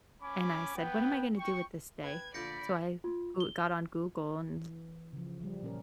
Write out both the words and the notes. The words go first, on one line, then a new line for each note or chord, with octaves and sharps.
and I said, "What am I gonna do with this day?" So I Goo got on Google and
C#4 G#5 B5 D6
B3 B4 G5
G5 C#6
B4 G5 G#6
A#2 D3 F3 D5 B5 G6 A#6 C#7
F4
G7
E3
C#3 F3
F3 G3
A#2 C#4 A#4